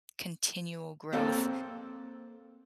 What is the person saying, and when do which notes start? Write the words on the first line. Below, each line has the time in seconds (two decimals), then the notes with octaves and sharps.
continual growth,
1.13 A#3 C4 A4 G5